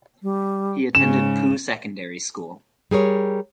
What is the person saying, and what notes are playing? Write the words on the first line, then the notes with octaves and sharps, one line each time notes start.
He attended Poo Secondary School.
G3
G#2 C#3 C#4 E7
G3 G#4 A#4 C#5